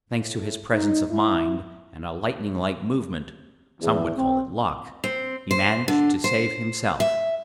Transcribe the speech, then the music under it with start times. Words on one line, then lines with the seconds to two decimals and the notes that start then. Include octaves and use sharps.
Thanks to his presence of mind and a lightning-like movement -- some would call it luck -- he managed to save himself.
0.14 A2
0.70 D#4
1.11 E4
3.80 E2
4.16 C4
5.04 C4
5.51 C5
5.88 D3
6.24 C5
7.00 E5